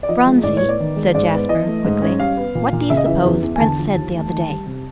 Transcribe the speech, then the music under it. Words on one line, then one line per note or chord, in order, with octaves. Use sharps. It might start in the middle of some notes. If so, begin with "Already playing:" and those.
"Phronsie," said Jasper quickly, "what do you suppose Prince said the other day?"
D5
F3 D#5
G#3
A2 D5
B3 C#5
D5
D#3
G#3
G#2 D5
B3
E3 D#5
A3
G#2
C#4
G3 F5
B3
A#2
A#2
C#3 E5
D#5
E3 E5
E2
E2
G#5
D3 A5
F3
D#2
A3
D#3
G3
C3